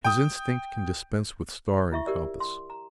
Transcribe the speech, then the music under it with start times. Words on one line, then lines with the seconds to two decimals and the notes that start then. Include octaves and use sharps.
His instinct can dispense with star and compass.
0.05 G5 D#6
1.92 E4 E5 C#6
2.07 G4 A#4 D5
2.40 C6
2.70 A#5